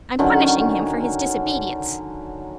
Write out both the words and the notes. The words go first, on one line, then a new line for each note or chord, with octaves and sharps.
I'm punishing him for his disobedience.
D3 D#3 F#3 C#4